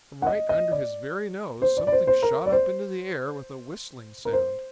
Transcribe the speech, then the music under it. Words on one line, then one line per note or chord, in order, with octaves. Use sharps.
From right under his very nose something shot up into the air with a whistling sound.
F#5
D#5
D#5
D5
C5
D5
D5
C5
C5
A#4
D5
C5
A#4
C5